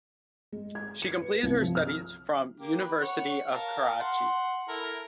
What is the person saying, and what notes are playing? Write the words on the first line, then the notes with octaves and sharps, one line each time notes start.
She completed her studies from University of Karachi.
G#3
G#6
C#7
B4
C2
F3
F6
A#3 G4
B4
C#5 F#5
A#4 F5 A5
F#5 C6
E4 A4 A#4